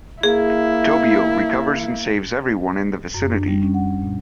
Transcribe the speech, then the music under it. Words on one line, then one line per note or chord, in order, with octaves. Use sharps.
Tobio recovers and saves everyone in the vicinity.
A#3 E4 G#4
F#2
D4
G3
C#4
F#5
A#2